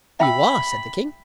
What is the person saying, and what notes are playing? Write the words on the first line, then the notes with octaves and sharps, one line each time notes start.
'You are,' said the King.
E5 G5 B5 E6